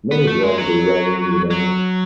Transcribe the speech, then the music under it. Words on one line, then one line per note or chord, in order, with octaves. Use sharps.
Many dragged their wagons with them.
B3
A3
G#3
F#3
F#3